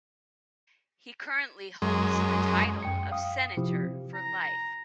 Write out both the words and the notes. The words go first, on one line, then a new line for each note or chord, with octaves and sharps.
He currently holds the title of Senator for life.
F#2 G#3
F#2 G5 C#7
F5 G5 D#6
C3 F3 E4 G4
A#5